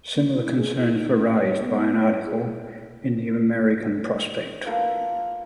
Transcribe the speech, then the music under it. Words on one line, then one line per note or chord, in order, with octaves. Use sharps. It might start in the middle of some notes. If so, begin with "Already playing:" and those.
Similar concerns were raised by an article in "The American Prospect".
A#3
E4
G#4
E4
D#4
C#4
C#5
B3
C#5
G#4
A#3 F4 A4 B4